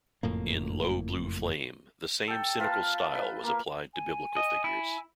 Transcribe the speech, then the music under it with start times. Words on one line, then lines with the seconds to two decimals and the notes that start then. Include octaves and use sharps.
In "Low Blue Flame", the same cynical style was applied to biblical figures.
0.23 F#1 F2 A2 A#3
2.28 A4 G5
2.60 F4 B4 F5 A5
3.15 B4
3.43 A#3
3.94 G#5
4.36 D#5
4.64 E4